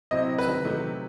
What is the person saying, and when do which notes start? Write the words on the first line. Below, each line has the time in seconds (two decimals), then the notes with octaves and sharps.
or something?
0.11 C3 F#3 C4 E4 D#5
0.39 B4
0.65 C3 F#3 A3 D#4